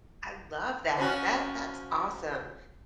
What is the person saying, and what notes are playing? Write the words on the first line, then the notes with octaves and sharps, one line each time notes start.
I love that. That that's awesome.
F3 C#4 F#4